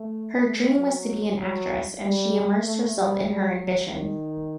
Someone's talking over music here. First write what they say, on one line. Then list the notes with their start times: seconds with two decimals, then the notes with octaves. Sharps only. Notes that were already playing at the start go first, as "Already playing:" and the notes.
Her dream was to be an actress and she immersed herself in her ambition.
Already playing: A3
0.47 A3
0.78 F#3
1.40 F#3
2.03 G3
2.66 A3
2.97 G3
3.28 G3
3.59 F#3
3.90 D#3